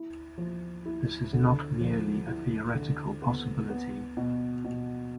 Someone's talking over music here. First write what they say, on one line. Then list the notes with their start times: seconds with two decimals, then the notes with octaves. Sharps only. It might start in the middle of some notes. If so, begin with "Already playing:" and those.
This is not merely a theoretical possibility.
Already playing: E4
0.38 F3
0.86 E4
1.33 D3
1.80 F3
2.28 E4
2.75 D3
3.22 B3
3.70 B3
4.17 B2
4.65 B2